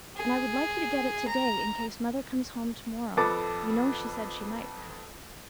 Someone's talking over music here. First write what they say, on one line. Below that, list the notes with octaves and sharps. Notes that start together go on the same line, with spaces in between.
And I would like you to get it to-day, in case mother comes home to-morrow. You know she said she might, perhaps.'
G#4
A#5
F2 A4 B4 A5 D6 A6